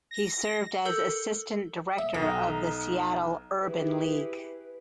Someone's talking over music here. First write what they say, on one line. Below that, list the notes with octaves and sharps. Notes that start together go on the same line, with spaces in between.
He served as Assistant Director of the Seattle Urban League.
A#6
A4 A#4 E6 G6 C#7 F#7
E5
B1 D#4
E4 G4 G#4 B4